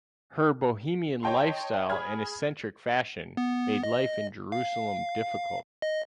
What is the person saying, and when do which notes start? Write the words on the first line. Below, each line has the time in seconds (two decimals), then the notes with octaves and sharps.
Her Bohemian lifestyle and eccentric fashion made life in Jerusalem difficult.
1.23 C#5 D#5 G5 A5 C6
1.90 G#4 B5 F6 G#6
3.37 B3
3.83 D#5
4.52 F5
5.82 D#5